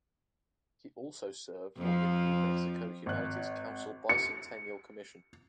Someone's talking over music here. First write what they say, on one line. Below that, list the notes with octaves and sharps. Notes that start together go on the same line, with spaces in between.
He also served on the New Mexico Humanities Council Bicentennial Commission.
F2 F3
G#1 F#6
C#7